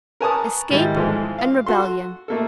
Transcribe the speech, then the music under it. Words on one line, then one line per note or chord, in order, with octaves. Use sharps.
Escape and rebellion.
A#4 B4 G#5 A5 C#6 D#6
G#2 D#3 G3 E4
G#2 E3 F3 G#3 F4 A4
F5
F#4 A4 C6
A3 A#3 A4